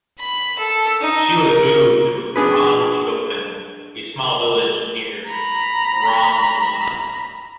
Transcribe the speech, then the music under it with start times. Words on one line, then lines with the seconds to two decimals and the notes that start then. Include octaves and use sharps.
She was moved to Ranshofen, a small village near Braunau.
0.19 B5
0.58 A4
1.01 D#4
1.46 A#4
2.36 D4 G#4 B4
5.27 A#5 B5